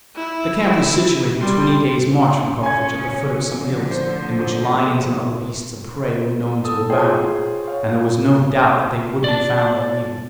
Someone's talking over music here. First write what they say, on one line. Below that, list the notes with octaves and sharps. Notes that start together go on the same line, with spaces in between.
The camp was situated twenty days' march from Carthage at the foot of some hills in which lions and other beasts of prey were known to abound, and there was no doubt that they would be found that evening.
E4
G3 C6
C#3 C#4 G#5 G#6
A2 D3 F3
C5
G#4
A4 D#6
F4 G#4 C5 C#5 G5
C#5 F5
D5 A5